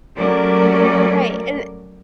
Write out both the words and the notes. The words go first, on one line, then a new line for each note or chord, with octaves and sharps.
Right, and
F#3 G3 A3 C#4 A#4 D5